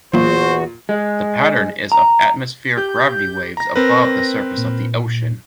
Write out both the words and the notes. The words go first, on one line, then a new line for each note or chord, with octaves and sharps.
The pattern is of atmospheric gravity waves above the surface of the ocean.
E2 A#2 E3 F#3 A#3 F#4 C5
G#3
A#5
G4 G6
A#5 A#6
C4 A#4 B4 A#6
A#2